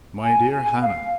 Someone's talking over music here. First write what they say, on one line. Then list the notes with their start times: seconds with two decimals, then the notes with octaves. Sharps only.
"My dear Hannah!"
0.23 G#5
0.81 F5